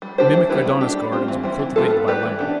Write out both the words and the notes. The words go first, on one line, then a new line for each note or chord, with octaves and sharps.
Mimic Adonis gardens were cultivated by women.
G3
D4 G4 C5
E3
G3 B3 E4 B4
A3
D4 G4
G3
C4 F4
E3
G3 C4 E4
E3
G3 B3 F4 A4
B3
E4 G4 B4 D5
E3
B3 D4